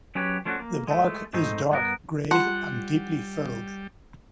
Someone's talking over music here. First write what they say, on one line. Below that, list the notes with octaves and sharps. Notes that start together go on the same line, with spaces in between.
The bark is dark gray and deeply furrowed.
F#3 C#4 F#4 G4 B4 C#5
F3 A3 C#4 D4 F#4
A#3
G#3 A3
F2 G#2 A3 C4 D#4
G2 B3 A#4
G3 F4 F#5 A5 C6